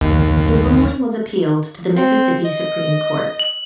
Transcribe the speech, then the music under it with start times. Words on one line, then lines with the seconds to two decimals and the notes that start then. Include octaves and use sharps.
The ruling was appealed to the Mississippi Supreme Court.
0.01 D#2
1.96 C4
2.44 D#5
3.39 F#7